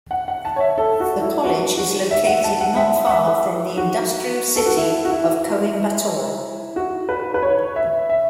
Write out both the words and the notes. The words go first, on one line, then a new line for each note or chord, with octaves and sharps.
The college is located not far from the industrial city of Coimbatore.
F#5
F#5
A5
C#5
E5
A4
F#4
E4
F#4
F#4
E5
F#5
A5
F#5
E5
F#5
E5
B4
F#4
A4
F#4
E4
F#4
E4
F#4
B4
B4
C#5
E5
E5